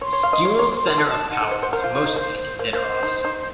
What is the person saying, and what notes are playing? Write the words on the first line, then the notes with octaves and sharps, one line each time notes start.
Skule's center of power was mostly in Nidaros.
C#5 C6
C#5
F5
D#5
C#5
C#5
C5
A#4 C6
A4
F#4 A5
D#4 F#5
A4
C5
C5
A#4 C5
F4
F4
D#4
A#3
A#3 C5
C#5
A#3 C5
D#4
D#4